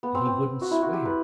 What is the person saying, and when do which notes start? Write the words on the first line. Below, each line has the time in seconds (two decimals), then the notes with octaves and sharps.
"That he wouldn't swear."
0.03 B3
0.15 C4
0.25 C4
0.61 F#4
0.71 E4
0.82 F#4
0.93 G4
1.05 B4